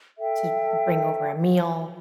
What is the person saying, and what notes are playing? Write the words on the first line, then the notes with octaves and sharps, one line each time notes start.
to bring over a meal,
A4 E5 G5